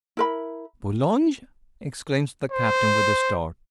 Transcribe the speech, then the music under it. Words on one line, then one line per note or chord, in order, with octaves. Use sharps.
"Boulogne!" exclaims the Captain, with a start.
E4 A#4 B5
C5